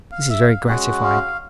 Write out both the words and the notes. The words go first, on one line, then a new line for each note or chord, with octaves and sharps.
This is very gratifying.
F5
E5
F5
G#3 C#4 F#4 F#5
F5